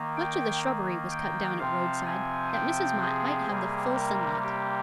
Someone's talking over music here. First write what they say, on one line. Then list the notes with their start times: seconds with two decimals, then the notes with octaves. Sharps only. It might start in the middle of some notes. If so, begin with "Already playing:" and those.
Much of the shrubbery was cut down at Roadside, that Mrs. Mott might have the full sunlight.
Already playing: D#3 A#3
0.17 G5
1.12 G5
1.59 C3 F3 C4 F5
2.06 G#5
2.53 G5
3.01 G#4
3.48 C3 G3 A#3
3.95 A#4
4.43 G4